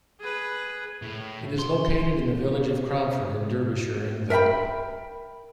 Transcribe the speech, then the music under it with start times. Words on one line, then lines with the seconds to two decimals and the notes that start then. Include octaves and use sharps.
It is located in the village of Cromford in Derbyshire, England.
0.20 G#4 B4
1.02 A2
1.58 C6
4.30 A#4 E5 F5 G5 B5